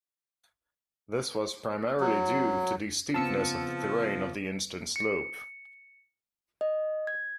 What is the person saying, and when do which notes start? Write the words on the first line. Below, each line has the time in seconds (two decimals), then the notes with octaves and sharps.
This was primarily due to the steepness of the terrain on the eastern slope.
2.00 F#3
3.14 C#3 F3 B3 C4 A5 E6 C#7
4.96 C#7
6.61 D#5
7.07 G#6